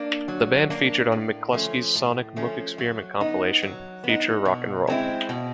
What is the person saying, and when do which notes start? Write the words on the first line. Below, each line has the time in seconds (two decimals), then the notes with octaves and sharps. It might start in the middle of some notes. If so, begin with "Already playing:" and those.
The band featured on McClusky's Sonic Mook Experiment compilation "Future Rock and Roll".
Already playing: A#3 D4
0.28 F#3
0.70 A#3 D4
1.12 A2
1.53 F3 A3 C#4
1.95 A2
2.36 F3 A3 C#4
2.78 F#3
3.20 B3 D#4
3.63 F#3
4.04 B3
4.09 D#4
4.45 B2
4.87 G#3 C4 E4
5.29 B2